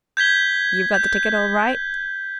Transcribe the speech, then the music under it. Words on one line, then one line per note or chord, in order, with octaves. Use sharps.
"You've got the ticket all right?"
G6 G#6 B6 G7
G6